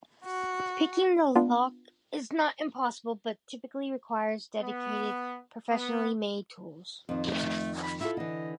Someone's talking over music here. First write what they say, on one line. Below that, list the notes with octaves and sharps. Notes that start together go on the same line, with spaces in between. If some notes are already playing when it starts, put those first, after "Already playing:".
Picking the lock is not impossible but typically requires dedicated, professionally-made tools.
F#4
B3 D4 F4
B3
B3
F2 D#3 F4
A3
B5
E4 F4 A4 E5
D3 E3 D#5